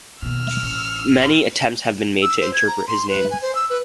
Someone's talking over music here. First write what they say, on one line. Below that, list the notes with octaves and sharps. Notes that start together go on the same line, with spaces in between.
Many attempts have been made to interpret this name.
D#2 B2 E6 F6
A1
E6
C5
G#6
A#5
C6
B4
G#5
C5
E6
B4